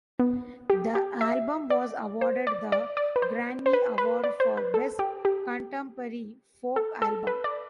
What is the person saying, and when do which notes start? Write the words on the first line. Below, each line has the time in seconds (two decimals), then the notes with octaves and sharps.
The album was awarded the Grammy Award for Best Contemporary Folk Album.
0.19 B3
0.70 G4
0.95 G4
1.21 E5
1.70 D5
2.21 C5
2.47 D5
2.72 D5
2.97 D5
3.16 B4
3.22 C5
3.66 C5
3.73 B4
3.98 B4
4.24 D5
4.40 C5
4.57 B4
4.74 A4
4.99 G4
5.25 G4
6.76 A4
7.02 A4
7.27 B4
7.44 D5